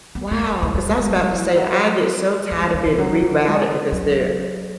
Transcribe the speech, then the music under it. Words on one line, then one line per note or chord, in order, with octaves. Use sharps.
Wow, 'cause I was about to say I get so tired of being rerouted because they're
B3
A3
A3
G#3
G#3
G#3
F#3
E3
F#3
G#3
F#3
E3
E3
F#3
F#3
G#3
F#3